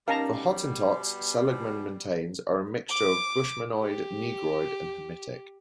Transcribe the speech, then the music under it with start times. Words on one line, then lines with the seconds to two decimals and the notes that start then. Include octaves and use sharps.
The Hottentots, Seligman maintains are a mixture of Bushmanoid, Negroid and Hamitic.
0.08 B2 G3 C#4 D#4 A#4 F5 A5 A#5
2.90 D6
3.79 G4